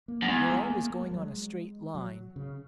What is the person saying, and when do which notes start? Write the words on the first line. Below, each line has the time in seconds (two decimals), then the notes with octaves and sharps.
"You're always going on a straight line."
0.08 A#3
0.22 F#2 F#3
0.29 E2 G#3
0.50 G#3
0.70 A#3
0.90 A#3
1.02 G#3
1.11 F#3
1.23 G#3
1.95 F#3
2.36 C#3